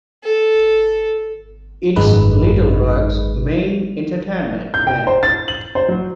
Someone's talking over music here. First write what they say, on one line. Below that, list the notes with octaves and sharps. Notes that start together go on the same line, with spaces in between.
It is Little Rock's main entertainment venue.
A4
G#1 F#2 G#3 D#4 B4
G6
G5
C5
A6
F#7
C5
F#3